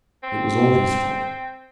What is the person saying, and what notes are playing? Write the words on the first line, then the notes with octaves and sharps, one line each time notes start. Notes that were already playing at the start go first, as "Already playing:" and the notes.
It was all his fault.
C4